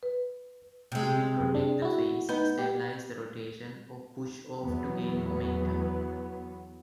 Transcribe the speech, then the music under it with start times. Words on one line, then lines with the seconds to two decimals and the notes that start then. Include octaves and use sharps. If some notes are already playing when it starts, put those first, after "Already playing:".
They may protect the face, stabilize the rotation, or push off to gain momentum.
0.03 B4
0.92 C3 G#3
1.40 F#2
1.55 D4
1.82 E4 F#4
2.29 B3 D#4 B4 G6
2.59 G4
4.62 E2 F#3 B3